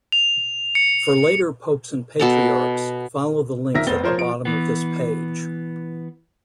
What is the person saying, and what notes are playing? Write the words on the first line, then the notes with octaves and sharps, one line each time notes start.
For later Popes and Patriarchs, follow the links at the bottom of this page.
F7
C#7
B2 A4 A#5
A#1 D#3 A#4 E5 A#6
F1 B3 C4 A6 G7
F3 A#4 C5 C#5
F3 D7
E3 B3